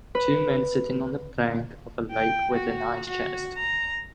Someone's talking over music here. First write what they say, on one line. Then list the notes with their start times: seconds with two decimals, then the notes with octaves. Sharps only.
Two men sitting on the bank of a lake with an ice chest.
0.15 B4
2.11 G5
2.54 F#4
3.06 F#4
3.57 A#5